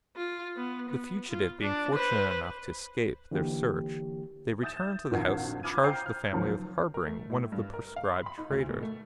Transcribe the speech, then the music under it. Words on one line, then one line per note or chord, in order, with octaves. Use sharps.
The fugitive being fortunate enough to escape their search, they returned to the house and charged the family with harbouring one of the proscribed traitors.
F4
B3
B3
F4
D4
B4 C5
D3 E3 A#3 G4
E5 D#6 G6 A6 E7
A#1 F2 D#3 F#4 F5 G#6
B5 D6 D#6 F6 G#6 D#7
C5 F5 G5 A#5 G6
F6
C#2 D#3 F3 F#3
A#4
A3
A2
G2
A#4
F5
B5
B5
D#4
D2
B2
A3